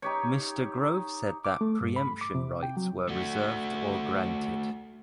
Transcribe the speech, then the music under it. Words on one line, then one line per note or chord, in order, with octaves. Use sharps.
Mr. Grove said that preemption rights were reserved or granted.
D#4 G4 C#5
D6
A3
G2
B5
D6
C3
G5
F#3
A3 F#4